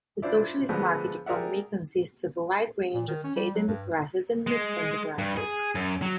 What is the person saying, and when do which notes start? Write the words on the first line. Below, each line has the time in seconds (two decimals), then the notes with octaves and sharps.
The socialist market economy consists of a wide range of state enterprises and mixed-enterprises.
0.22 D4 E4 F4 C5 D5 E5
0.69 D3 F3 G#3 A3 B3 D4
1.26 G4 G#4 A#4 D5 E5 F#5
2.94 A#2
3.07 D#3
3.24 C#4
3.36 G3
3.55 F#3
3.67 G2
4.47 G#3
5.18 G2
5.37 G#4
5.75 F#2
6.02 F#3